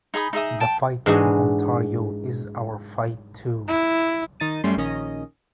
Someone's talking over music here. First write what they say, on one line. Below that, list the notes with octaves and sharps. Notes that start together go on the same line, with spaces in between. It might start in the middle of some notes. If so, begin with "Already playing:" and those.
The fight in Ontario is our fight too.
D#4 G#4 B5 D#6
D#4 G#4 E5 D#6
G5 A5
G#2 E3 G#3 D4 D#4 F#4
E4
D#3 D#4 A6 D#7
F#2 G3 A3 C#4 C6 C7
A#1 D#3 C#4 D#5